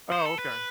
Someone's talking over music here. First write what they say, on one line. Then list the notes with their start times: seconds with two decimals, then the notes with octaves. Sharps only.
Oh, okay.
0.12 C5
0.25 A4
0.39 B4